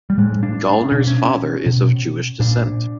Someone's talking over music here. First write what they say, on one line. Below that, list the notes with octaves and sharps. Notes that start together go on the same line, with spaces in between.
Gallner's father is of Jewish descent.
G3
A2 G#3
D4
D4
B2 C#4
D4
C#4
B2
A#2 D4